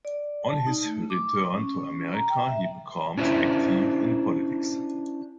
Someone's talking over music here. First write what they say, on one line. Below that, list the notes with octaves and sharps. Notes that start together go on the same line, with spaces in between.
On his return to America, he became active in politics.
D5
A5
D#4
A3
D6
C#4
A#5
G5
E5
C#4 D4 E4 C5 E5